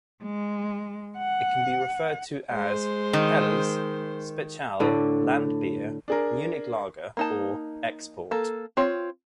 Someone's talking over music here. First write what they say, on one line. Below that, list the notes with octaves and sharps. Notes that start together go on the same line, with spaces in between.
It can be referred to as "Helles", "Spezial", "Landbier", "Munich Lager", or "Export".
G#3
F#5
G#3 C5
D#3
A2 D3 D4
D4 G#4 A#4
A#3 D#4 A5
A#3 A4
C4 F4 C#5